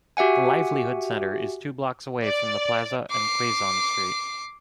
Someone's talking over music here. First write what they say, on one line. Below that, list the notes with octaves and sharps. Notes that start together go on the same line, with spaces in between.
The Livelihood Center is two blocks away from the Plaza and Quezon Street.
F#4 G4 E5 F#5 G#5
D5
D6 C7